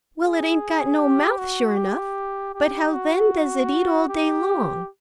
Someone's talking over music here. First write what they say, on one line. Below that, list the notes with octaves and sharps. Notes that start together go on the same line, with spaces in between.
"Well, it ain't got no mouth, sure enough; but how then does it eat all day long?"
G#4
G4
F#4
G4
G4
F#4
G4